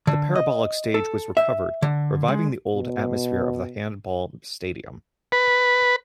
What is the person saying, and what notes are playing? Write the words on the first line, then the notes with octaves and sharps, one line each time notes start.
The parabolic stage was recovered, reviving the old atmosphere of the Handball Stadium.
D3
D#5
A4
E5
D3
G#3
B2
B4